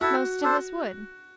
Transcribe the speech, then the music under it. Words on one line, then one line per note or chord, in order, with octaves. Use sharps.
"Most of us would."
E4 F#4 A4 E5
D4 A4 C5